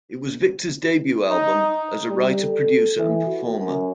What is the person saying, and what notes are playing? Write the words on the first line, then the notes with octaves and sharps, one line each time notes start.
It was Victor's debut album as a writer, producer and performer.
D#4
G3
A4
E3
F#4
F#2